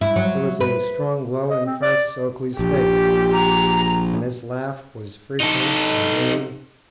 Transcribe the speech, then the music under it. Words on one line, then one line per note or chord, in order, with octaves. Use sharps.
There was a strong glow in Francis Oakley's face, and his laugh was frequent and ringing.
E4
F#3
B4
D#5
C4
D5
A#1 G4
A#5
D#4 A4